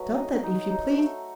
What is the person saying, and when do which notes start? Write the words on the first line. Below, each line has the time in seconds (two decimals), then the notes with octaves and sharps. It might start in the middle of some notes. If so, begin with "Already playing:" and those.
Stop that if you please!
Already playing: F#3 A3 B4 D#5
0.15 D#4
0.43 D#4
0.71 D#4
0.98 A3